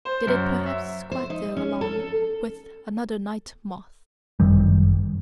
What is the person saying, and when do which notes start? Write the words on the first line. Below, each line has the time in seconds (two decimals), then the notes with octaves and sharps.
Did it perhaps squat there along with another night-moth?
0.05 C5
0.27 F#2
0.66 E5
1.11 C5
1.30 D#4
1.57 C#4
1.81 A4
4.40 G1 F#2 D#3 G3